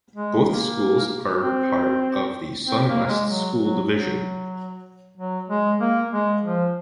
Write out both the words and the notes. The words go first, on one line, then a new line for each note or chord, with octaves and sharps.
Both schools are part of the Sun West School Division.
G#3
A#3
C4
C4
A#3
G#3
F#3
F#3
F#3
F#3
G#3
A#3
G#3
F3